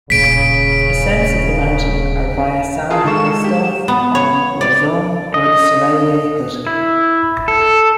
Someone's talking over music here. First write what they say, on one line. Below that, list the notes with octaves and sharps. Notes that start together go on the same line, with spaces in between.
Ascents of the mountain are via Saint-Christophe-en-Oisans or the Soreiller hut.
D#1 C#3 B6 D7
F4 G#4 A#4 A5
D#3 G#3 A4 C#6 E7
G4
B3
C#5
D5
D#5
E4
A4